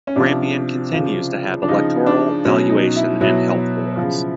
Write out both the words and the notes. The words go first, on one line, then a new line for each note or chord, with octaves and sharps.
Grampian continues to have electoral, valuation, and Health boards.
C#4
C3 F3 D4
C#3 F3
D4
C#3 F3 D#4
D4
B2 F#3 C#4
D#4
E4
B2 F#3 E4
C#3 F3